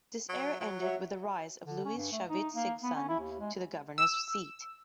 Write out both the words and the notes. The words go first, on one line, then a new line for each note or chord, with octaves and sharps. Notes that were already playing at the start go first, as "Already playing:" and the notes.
This era ended with the rise of Luis "Chavit" Singson to the governor's seat.
F#3
F#3
F#4 C#5 E5
D3
C#4
G2
A3
D#4
A#3
B3
C#4
E4
D#2
G#3
E6